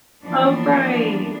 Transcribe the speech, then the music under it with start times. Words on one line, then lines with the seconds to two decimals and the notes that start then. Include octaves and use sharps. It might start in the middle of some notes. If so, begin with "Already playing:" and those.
Oh, right.
0.24 E3 F3 A#3 B3 D4